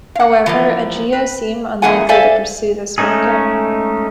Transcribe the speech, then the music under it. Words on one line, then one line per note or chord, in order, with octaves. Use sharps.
However Ageia seem unlikely to pursue this market.
F5 F#5
E3 F3 A#3
B4
F#2 E3 A#3 G#4 F#5 G#5
A4 C5 D5 E5 F5 G#5
G#3 A3 C#4 D#4 G#4